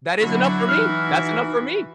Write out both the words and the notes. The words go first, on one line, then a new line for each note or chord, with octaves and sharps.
That is enough for me That's enough for me.
D3 F#3 E4 F#4
E3 D#4 F6